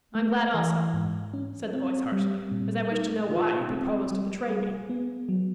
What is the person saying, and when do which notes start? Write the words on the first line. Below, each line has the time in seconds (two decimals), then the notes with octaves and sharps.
"I am glad, also," said the voice harshly, "as I wish to know why you propose to betray me."
0.15 A3
0.54 E3
0.94 G#2
1.34 C#4
1.73 C4
2.12 G3
2.52 A#2
2.92 D#4
3.31 F4
3.70 C4
4.11 G3
4.50 G#4
4.89 B3
5.29 F#3